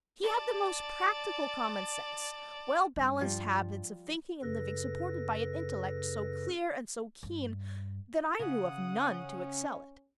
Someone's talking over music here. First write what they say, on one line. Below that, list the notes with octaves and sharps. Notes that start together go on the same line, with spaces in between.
He had the most practical common sense--well-balanced habits of thinking and living, supported by an intellect so clear and so keen that I knew of none to excel it.
D5 A5
G2
F3 G3
F#2 C#3 A4 B4 A#6
G2
C#3 F#5 D#6
C#4